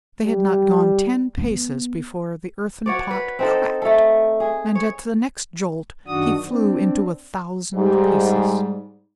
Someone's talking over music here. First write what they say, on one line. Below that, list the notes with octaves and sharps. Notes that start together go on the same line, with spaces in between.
They had not gone ten paces before the Earthen Pot cracked, and at the next jolt he flew into a thousand pieces.
G3
B3
F#4 C#5 D5
B4
C4 D#4 A4
A3 A4
G#4
C#5
F#2 D#3 D4 F#4 D#6
C4 D4
G#2 G3